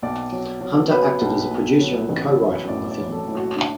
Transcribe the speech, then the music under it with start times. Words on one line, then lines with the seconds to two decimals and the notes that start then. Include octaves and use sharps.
Hunter acted as a producer and co-writer on the film.
0.02 B1 D5
0.32 F#3
0.61 F#3
0.90 F#3 B4
1.21 B1
1.51 B1
1.80 F#3
2.09 A1
2.38 F#3
2.68 A2 D5
2.91 D5
2.98 F#3
3.13 A4
3.28 A2
3.35 F#4
3.56 D4